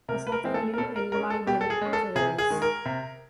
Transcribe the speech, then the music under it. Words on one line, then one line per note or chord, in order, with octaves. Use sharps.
Asad Khalil, a Libyan terrorist.
C3 A#4
B4
A#4
E3 G#3 C4
A4
A#4
B2 A4
A#4
G#3 C#4 A#4
A4
B2 G4
A4
G#4
G#3 C#4
A4
C3 G#4
G#4
D#3 G#3
A#4
C3